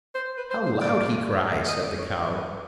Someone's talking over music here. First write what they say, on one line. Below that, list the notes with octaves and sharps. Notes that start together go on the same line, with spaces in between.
"How loud he cries!" said the cow.
C5
B4
C5
C5
D5
D#5
D5
C#5
B4